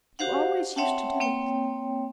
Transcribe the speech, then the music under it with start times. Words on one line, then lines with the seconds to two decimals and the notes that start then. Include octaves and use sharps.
"You always used to do it."
0.19 F#4 G4 C5 F5 F#5
0.76 C4 C#5 E5 F#5 G5 A5
1.20 A#3 C4 C#5 G5